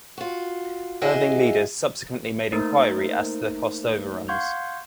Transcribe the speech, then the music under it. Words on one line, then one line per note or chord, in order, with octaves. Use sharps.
Irving leaders subsequently made inquiry as to the cost overruns.
F4 F#4
E4 F#4 G#4 D#5 E5
A3 A#3 D#4 A#4 C5
F5 F#5 C6 C#6 G6 G#6